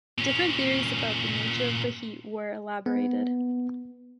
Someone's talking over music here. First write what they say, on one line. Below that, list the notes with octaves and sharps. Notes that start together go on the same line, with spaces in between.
Different theories about the nature of the heat were elaborated.
A#2 C#4
B3